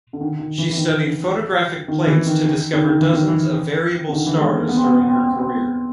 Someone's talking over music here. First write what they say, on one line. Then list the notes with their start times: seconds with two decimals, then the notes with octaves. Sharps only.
She studied photographic plates to discover dozens of variable stars during her career.
0.13 D3
0.21 D#3
0.39 D#3
0.58 E3
0.70 E3
0.77 D#3
1.88 D#3
2.07 E3
2.26 D#3
2.45 D#3
2.73 D#3
2.86 D#3
3.01 E3
3.13 D#3
3.28 E3
4.09 D3
4.13 D#3
4.26 E3
4.34 A3
4.40 G#3
4.55 A#3
4.69 B3
4.76 C4
4.84 B3
4.93 C4
5.01 B3
5.08 C4
5.16 B3
5.24 C4
5.32 B3
5.39 C4
5.47 B3